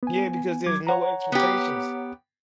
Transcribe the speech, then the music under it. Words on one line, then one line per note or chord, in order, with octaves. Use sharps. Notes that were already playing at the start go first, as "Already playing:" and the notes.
Yeah, because there's no expectations.
B3 G#5
F#3 D6 G#6
C#5 F#5 A#5
B3 G4